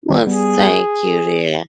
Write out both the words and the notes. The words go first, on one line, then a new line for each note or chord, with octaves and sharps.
Well, thank you, dear.
D#3 G3
G3 B3 G#4